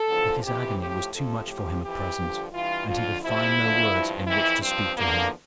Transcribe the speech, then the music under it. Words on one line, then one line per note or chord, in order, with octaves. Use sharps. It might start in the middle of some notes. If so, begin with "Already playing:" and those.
But his agony was too much for him at present, and he could find no words in which to speak to her.
Already playing: A4
E2 D3 F3
F2 C3 E3 G4
A2 F3 G4
F2 C3 F3 A4
A2 F3 G4
F2 E3 G4
G2 D3 F3
G2 E3 F4
F2 D3 F3 F4
F2 C3 F3 E4
E2 D3 F3
G2 F3
F2 E3 E4
G2 F3 C4
E2 D3 F3 A#3